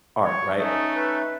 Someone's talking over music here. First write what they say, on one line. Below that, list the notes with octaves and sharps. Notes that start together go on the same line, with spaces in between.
art, right?
C#5
A3 C#4 D#4 D#5 E5
B4